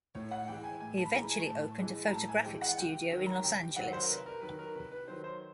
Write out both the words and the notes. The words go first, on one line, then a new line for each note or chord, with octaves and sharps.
He eventually opened a photographic studio in Los Angeles.
A2 C#5
F#5
E3 G#3 G5
G#5
A2 G#5
A5
B5
E3 G#3 A#5
G#5
A2 A5
E3 G#3
A#5
A2 A5
G#5
E3 G#3 G5
F#5
C3 G5
D#3 F#3
A#5
C3 G5
G5
D#3 F#3 F#5
C5
A#4
C3 B4
A#4
D#3 F#3 B4
A#4
C3 B4
B4
D#3 F#3 C5
C5